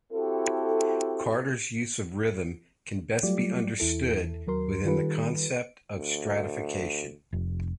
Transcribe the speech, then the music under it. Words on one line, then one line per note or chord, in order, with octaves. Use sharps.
Carter's use of rhythm can best be understood within the concept of stratification.
C4 E4 F#4 G4 A4
F#3 G3 A3 F4 G4 D5
E2 E4 A4
D#2 F#3 A#4 C6
D#3 G3 F4 G4 A4 B4
D2
F1